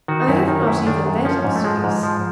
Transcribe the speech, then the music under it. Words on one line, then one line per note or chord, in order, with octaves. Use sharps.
'I have not even that excuse.
D#3 F#4
D#4
F#2 E4
D#3 D#4
F#2 E4
D#3 D4
F#2
F3 C#4
G#2
A3
F3 G#3
G#2
F3